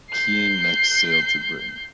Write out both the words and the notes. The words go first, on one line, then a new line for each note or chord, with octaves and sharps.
"Keying" next sailed to Britain.
G6 C7